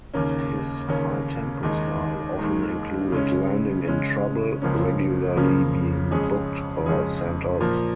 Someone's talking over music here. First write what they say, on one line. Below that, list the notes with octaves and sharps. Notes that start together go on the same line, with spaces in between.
His high-tempo style often included landing in trouble, regularly being booked or sent off.
D#2 C#3 A#3 C#4
D#2 C#3 A#3 C#4
D#2 D#3 G#3 D#4
D#2 D#3 G#3 D#4
C#3 G#3 C#4
C#3 G#3 C#4
C#2 C#3 F3 A#3 C#4
C#2 C#3 F3 A#3 C#4
F2 C#3 G#3 C#4 G#4
F2 C#3 G#3 C#4 G#4
A#2 F3 A#3